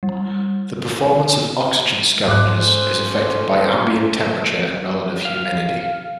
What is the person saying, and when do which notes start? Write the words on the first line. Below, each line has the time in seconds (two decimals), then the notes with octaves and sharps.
The performance of oxygen scavengers is affected by ambient temperature and relative humidity.
0.03 G3
2.28 G#2 C#4 A4 C5 D6 F#6
5.25 F5